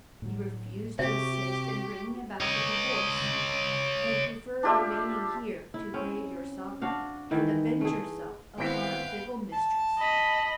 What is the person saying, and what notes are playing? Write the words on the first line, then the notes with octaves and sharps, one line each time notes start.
You refuse to assist in bringing about the divorce, and prefer remaining here to brave your sovereign, and avenge yourself upon a fickle mistress.
A2 F#3
C3 F#4 G4 E5
F#4
C#5 D#5
D4 F4 G4 E5
E4
C4 C#4
D4 F#4 F5
D#3 E3 E4
A3 G#4
G#1 B3 C4 E4 F5 G5
A5
D#5 B5